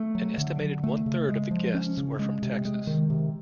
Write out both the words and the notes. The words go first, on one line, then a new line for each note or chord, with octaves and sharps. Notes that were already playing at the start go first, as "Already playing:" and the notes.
An estimated one-third of the guests were from Texas.
Already playing: A3
F#3
D3
D3
A3
C#3
G#3
F3
C#4
C#3
G#3
C3
G#3
D#3
C3